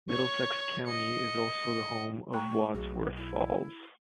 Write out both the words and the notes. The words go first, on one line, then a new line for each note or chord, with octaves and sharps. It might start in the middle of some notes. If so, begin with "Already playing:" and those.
Middlesex County is also the home of Wadsworth Falls.
C#5 C#6
D#5 C#7
A3 G5 A#5 C#6
B1 F#4 G#4
E4